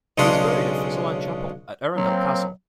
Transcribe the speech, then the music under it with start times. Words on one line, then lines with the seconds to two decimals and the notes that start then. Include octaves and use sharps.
He is buried in Fitzalan Chapel at Arundel Castle.
0.18 B1 C#3 G#3 C#4 D4 C6
1.96 F#3 A#3 C4